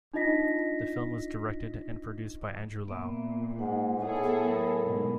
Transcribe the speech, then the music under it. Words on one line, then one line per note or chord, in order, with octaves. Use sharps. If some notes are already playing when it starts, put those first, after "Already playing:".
The film was directed and produced by Andrew Lau.
D4 D#4 F4 D#5 A#6 B6
A#2 A#3 B3 E5
G#2 F#5
A2 B3 G#4 A4
F#3 A#4 B5
G#2 B2